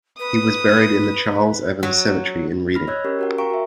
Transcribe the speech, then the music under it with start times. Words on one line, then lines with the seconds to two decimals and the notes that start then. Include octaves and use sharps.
He was buried in the Charles Evans Cemetery in Reading.
0.19 B4 D#6
1.83 F#3
2.74 B5 F6 A#6
2.87 C#5 D#5 E6 F#6 G#6
3.05 C#4 G4 A#4
3.19 F#4 A#4 F#5
3.38 A#4 F5 G5 A#5 C#6 D7
3.50 F#4 E5